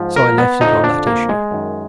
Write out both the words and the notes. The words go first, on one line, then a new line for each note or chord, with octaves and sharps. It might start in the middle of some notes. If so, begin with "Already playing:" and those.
So I left it on that issue.
Already playing: G#2 F3
A#4
B3
F2 D3 F3 D#4
D4
A#3
G#3
F#2 D#3